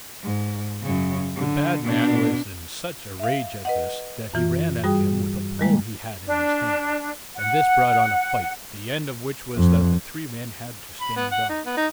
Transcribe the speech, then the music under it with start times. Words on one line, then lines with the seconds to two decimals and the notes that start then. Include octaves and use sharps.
The bad man was in such a rage at this, that he ran at him with a pole he had in his hand, and this brought on a fight, the end of which was that the three men had to stand off.
0.23 G#2
0.82 F#2 C#3
1.36 D3
1.84 B2 D4
3.20 E5 F5
3.65 B4 D#5 F#5
4.34 F#2 E3 F4
4.84 G2 G3 F#4 G#4 G5 D#6
5.59 D#3 G3 G#3 A#3
6.26 D4
7.36 F#5
9.56 F2
11.01 B5
11.17 B3
11.32 F#5
11.49 D#4
11.66 B3
11.77 D#4